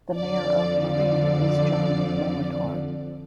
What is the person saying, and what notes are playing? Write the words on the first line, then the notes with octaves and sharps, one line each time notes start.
The mayor of Marine is John Molitor.
F2 D3 F3 D5
D5